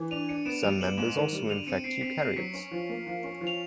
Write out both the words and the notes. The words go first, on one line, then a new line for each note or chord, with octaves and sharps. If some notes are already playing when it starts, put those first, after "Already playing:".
Some members also infect eukaryotes.
Already playing: E3
D4 D#7 F7
D4 C#7 D#7
B3 D7 E7
G3 D#7 F7
B3 E7 F#7
G#2 E7 F#7
D#3
G3
D3 D#7 F7
C4 C#7 D#7
C4 C7 D7
C4 B6 C#7
C4 C7
F#3 B6 C#7
C#4
F3
A#3
F3
C#4
F3
F7